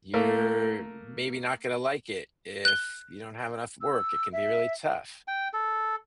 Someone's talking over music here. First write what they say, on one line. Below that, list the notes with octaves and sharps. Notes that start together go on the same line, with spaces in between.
you're maybe not gonna like it. If you don't have enough work, it can be really tough."
A3 A#3 A#4
F#6 G7
E6
E5
G5
A4